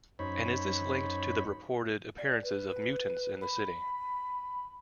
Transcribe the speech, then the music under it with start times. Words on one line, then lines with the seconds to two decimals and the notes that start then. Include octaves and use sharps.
And is this linked to the reported appearances of mutants in the city?
0.19 F#2 D#4 C5 C#5 B5
2.18 D5
2.43 B4
3.41 B5